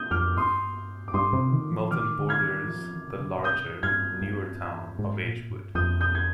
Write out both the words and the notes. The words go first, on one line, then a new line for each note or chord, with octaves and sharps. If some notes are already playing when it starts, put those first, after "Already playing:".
Milton borders the larger, newer town of Edgewood.
Already playing: D#6 G6
F2 D6 F6
G2 C6 D#6
D6
G2 C6 D#6
C3
D#3
F3
D#3 D6 F6
D3
F6 G#6
D#3
F3
D#3
C3
D3
A#2
C3 D#6 G6
G#2
G2 F6 G#6
G2
G#2
A#2
G2
F2 D#6 G6
D#6 G6
G#6